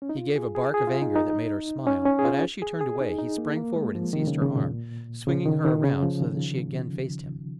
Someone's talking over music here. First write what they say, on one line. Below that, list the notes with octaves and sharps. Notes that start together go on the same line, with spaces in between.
He gave a bark of anger that made her smile, but as she turned away he sprang forward and seized her arm, swinging her around so that she again faced him.
C#4
D#4
F4
G#4
G#4
G#4
F4
D#4
D#4
C#4
C#4
G#4
F4
G#4
G#4
D#4
D#4
A#3
A#3
G#3
F3
D#3
C#3
C#3
A#2
C#3
D#3
D#3
C#3
F3
D#3